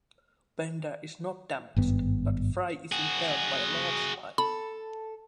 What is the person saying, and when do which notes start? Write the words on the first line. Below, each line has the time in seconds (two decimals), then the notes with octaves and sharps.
Bender is not damaged, but Fry is impaled by a large pipe.
1.76 G#1 G2 B3
2.92 F#4 G#4
4.38 A4 B5